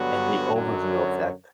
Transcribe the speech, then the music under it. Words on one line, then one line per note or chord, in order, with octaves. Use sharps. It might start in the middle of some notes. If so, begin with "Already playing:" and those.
And the overview effect
Already playing: G2 D3 F#3 B3 F#4
F#2 D3 F#3